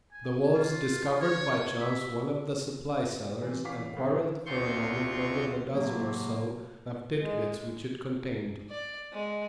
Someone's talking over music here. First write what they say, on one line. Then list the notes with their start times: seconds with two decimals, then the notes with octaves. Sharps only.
The wolves discovered by chance one of the supply cellars, and quarreled for a moment over the dozen or so of tit-bits which it contained.
0.12 G#5
0.55 F4
1.20 C#5
1.80 E5
3.42 E3 C4
3.65 E3 C#4 F5 D6 B6
3.95 B1 A2 F5
4.46 D2 C4 F4 C6 C#6 G6
5.71 A2 C3 F#3 A#3
7.16 G#3
8.70 D5
9.13 G#3